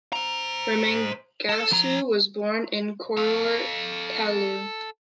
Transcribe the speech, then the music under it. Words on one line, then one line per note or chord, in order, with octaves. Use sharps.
Remengesau was born in Koror, Palau.
C5 A#5
A4 A5
F3 A#5
A4 F5